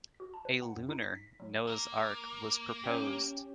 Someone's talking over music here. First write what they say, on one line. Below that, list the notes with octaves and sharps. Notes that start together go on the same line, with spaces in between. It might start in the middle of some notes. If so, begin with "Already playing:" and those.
A Lunar Noah's Ark was proposed.
F#4
A5
B4
F#5
F#2
D#4
A#6
B6
F#3
A#3
C#4 G4